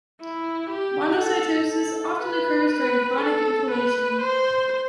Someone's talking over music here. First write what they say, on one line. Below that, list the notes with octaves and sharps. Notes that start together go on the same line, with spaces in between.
Monocytosis often occurs during chronic inflammation.
E4
G4
A4
A4
B4
B4
A4
B4
C5